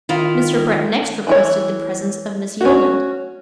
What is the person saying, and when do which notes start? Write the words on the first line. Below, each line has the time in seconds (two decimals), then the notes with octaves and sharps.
Mr. Brett next requested the presence of Miss Yolland.
0.09 D#3 E4 F4
1.27 E3 E4 C#5
2.61 C#4 F#4